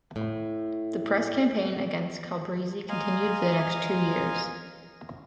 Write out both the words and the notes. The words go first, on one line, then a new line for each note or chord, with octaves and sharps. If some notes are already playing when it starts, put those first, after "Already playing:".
The press campaign against Calabresi continued for the next two years.
A2
D#5 F5 G#5 A#5 C6